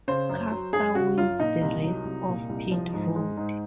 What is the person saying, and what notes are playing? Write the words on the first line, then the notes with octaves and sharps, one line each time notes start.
Custer wins the race off pit road.
C#3 C5
F#2
F#3
F#2 G#4
C#3 F#4
F#2 F4
A#2 D#4
C2
F#3
C2
A#2
C2
F3
G#2
G#3
G#2